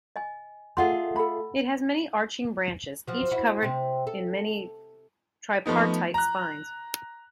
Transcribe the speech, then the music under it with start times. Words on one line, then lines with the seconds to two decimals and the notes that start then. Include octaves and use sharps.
It has many arching branches, each covered in many tripartite spines.
0.16 D#5 G#5
0.77 A3 F4 G#4 D#5 F#5 C6
1.16 A4 B5
3.07 F3 F#3
3.31 E4 F#4
3.63 C3 C4
4.07 A4
5.66 F3 A3 B3 D#4
6.14 A#5 F#6